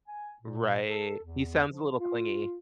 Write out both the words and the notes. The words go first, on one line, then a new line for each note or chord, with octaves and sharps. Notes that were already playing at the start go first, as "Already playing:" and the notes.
Right. He sounds a little clingy.
G#5
A#2
A4
E2
F3
F4